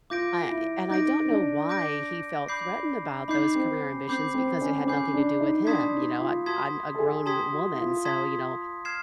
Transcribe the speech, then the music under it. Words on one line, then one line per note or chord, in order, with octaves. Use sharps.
I and I don't know why he felt threatened about those career ambitions, because they had nothing to do with him, you know, I'm I'm a grown woman, so, you know,
F4 D6 G6 A#6 D7
E4
D#4 D6 G6 A#6 D7
D4
D6 G6 A#6 D7
B5 D6 G6 C7
D#4 B5 D6 G6 C7
C4
C#4
C4 B5 D6 G6 C7
C4
C#4
C4
C#4 B5 D6 G6 C7
D4
D#4
D4 A5 C6 D#6 G#6 B6
D#4
F4
F#4 A5 C6 D#6 G#6 B6
A4
G#4
G4 A5 C6 D#6 G#6 B6
F#4
E4
F4
A5 C6 D#6 G#6 B6
F6 G#6 C7 E7